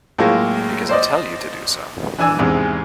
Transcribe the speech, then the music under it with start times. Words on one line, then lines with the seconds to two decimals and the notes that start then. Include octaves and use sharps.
Because I tell you to do so.
0.19 A2 F#3 G#3 A#3 F4
0.89 C5 D5 D#5
2.18 E3 D4 G#5 E6
2.39 E2 G#2 C3 G#3